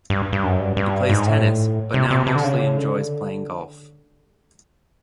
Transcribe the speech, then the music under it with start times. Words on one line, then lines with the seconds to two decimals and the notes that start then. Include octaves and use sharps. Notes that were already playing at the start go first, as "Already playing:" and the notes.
He plays tennis but now mostly enjoys playing golf.
0.10 G2
0.32 G2
0.44 F#2
0.60 G2
0.77 G2
1.10 G#2
1.27 A2
1.94 C3
2.10 C3
2.27 C3
2.35 D3
2.44 C#3
2.78 D3